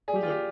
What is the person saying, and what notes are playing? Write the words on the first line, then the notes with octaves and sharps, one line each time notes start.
Ooh, yeah.
G#4 D5
G4
F4
G4